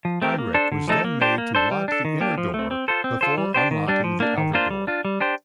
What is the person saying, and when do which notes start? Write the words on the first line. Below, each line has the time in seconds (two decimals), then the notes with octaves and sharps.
Eirich was then made to lock the inner door before unlocking the outer door.
0.05 F3
0.22 A3 C4 G4 A#4
0.38 A#3
0.54 D4 A4 C5
0.72 D3
0.88 F3 A3 D#4 A4
1.04 A#3
1.21 D4 G4 C5
1.38 A#3
1.55 D4 A4 C5
1.71 G3
1.88 D4 A4
2.05 D#3
2.21 A#3 D4 G4
2.38 F3
2.54 A3
2.59 C4
2.71 C4
2.88 F4 A4 C5
3.04 C4
3.21 F4 A4 C5
3.38 G3
3.54 D4 G4 C5
3.71 D#3
3.88 G3 D4
4.04 F3
4.20 A#3 D4
4.38 D#3
4.54 A#3 D4 F4 C5
4.70 G3
4.87 D4 F4
5.05 G3
5.20 D4 G4 C5